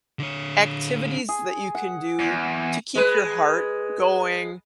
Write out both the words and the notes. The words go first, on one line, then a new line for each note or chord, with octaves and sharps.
activities that you can do to keep your heart going
D3 C#5
G#4
F#5
E2
G#3 B4